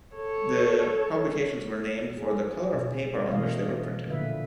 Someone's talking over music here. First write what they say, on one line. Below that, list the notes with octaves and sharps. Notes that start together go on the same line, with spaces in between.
The publications were named for the color of paper on which they were printed.
A4 C#5
G#4
B2
B2 E3 A3 D#5 F5
A#2 D3 F3 A#3 B4 E5